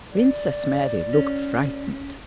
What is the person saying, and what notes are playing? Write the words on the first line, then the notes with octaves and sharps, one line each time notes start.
Princess Mary looked frightened.
D5
C#4